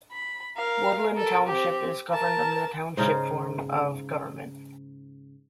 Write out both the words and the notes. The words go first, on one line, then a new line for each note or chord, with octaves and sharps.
Woodland Township is governed under the Township form of government.
B5
A#4 F5
A4 A#4
C4 G4
A#4 A5
G#2 C#3 D#4 C5